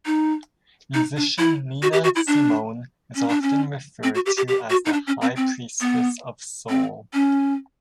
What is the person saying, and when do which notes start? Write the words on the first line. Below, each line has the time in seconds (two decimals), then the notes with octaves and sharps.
Musician Nina Simone is often referred to as the High Priestess of Soul.
0.06 D#4
0.94 D#4
1.17 D4
1.38 E4
1.82 F#4
1.93 G4
2.04 F#4
2.16 E4
2.27 D4
3.15 C#4
3.28 D4
3.42 C#4
4.03 C4
4.15 F#4
4.26 G4
4.37 G4
4.48 G4
4.70 F#4
4.86 D#4
4.93 D4
5.07 C#4
5.22 C4
5.36 C4
5.81 B3
6.69 C4
7.14 C#4